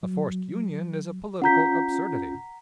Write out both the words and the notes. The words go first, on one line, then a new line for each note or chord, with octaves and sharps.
A forced union is a political absurdity.
F#3
C#4 F4 F#5 A#5 G6 B6